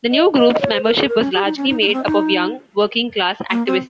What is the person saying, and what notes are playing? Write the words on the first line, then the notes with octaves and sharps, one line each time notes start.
The new group's membership was largely made up of young, working class activists.
D#5
D#5
D#5
C#5
C5
A#4
G#4
A#4
C#4
G4
D#4
C#4
D#4
D#4
A#3
C4
D#4
A#3
C4